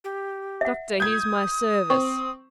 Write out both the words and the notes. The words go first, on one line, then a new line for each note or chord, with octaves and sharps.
Doctor, here's my service.
G4
E5 F#5
D#6 G6 G#6
C4 C#6